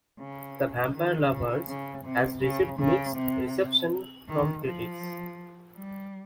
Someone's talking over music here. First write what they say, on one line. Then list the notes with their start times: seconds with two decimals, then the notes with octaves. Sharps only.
"The Vampire Lovers" has received mixed reception from critics.
0.19 C#3
0.94 D#3
1.30 C#3
1.68 C#3
2.05 C3
2.42 C#3
2.80 C#3
3.16 C3
4.28 D#3
4.65 F3
5.76 G3